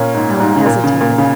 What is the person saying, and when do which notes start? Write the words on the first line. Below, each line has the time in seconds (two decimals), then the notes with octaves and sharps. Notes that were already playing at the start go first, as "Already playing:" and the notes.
Allan hesitated.
Already playing: A#2 C#4
0.14 G#2
0.40 G#2
0.56 C#3
0.66 A#2
0.84 C#3
1.01 A#2
1.18 C#3